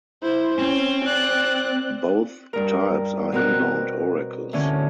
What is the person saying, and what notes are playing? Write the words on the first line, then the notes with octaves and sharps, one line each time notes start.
Both types are "inbound" oracles.
E4 C5
C4 C#4
D5 F#6
G2 A#4
B2 C4 A#4 F#6
A2 D3 C#4